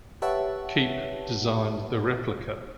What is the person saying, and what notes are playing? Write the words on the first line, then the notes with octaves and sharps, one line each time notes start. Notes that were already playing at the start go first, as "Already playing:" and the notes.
Keep designed the replica.
G4 B4 C#5 E5 F#5 A5